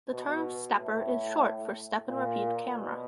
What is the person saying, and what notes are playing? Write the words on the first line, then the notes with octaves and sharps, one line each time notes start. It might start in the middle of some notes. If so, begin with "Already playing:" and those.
The term "stepper" is short for step-and-repeat camera.
B2
A2
A#2
B2